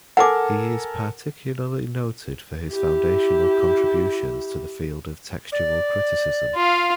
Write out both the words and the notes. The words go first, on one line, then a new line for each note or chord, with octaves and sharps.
He is particularly noted for his foundational contributions to the field of textual criticism.
A4 A#4 F#5 G#5 D6
E4 G4
D5
F4 F5